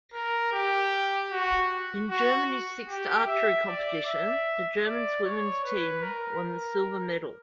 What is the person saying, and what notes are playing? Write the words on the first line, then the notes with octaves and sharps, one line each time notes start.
In Germany's sixth archery competition, the German women's team won the silver medal.
A#4
G4
F#4
F#4
G4
E5
D5
E5
D5
C#5
B4
A#4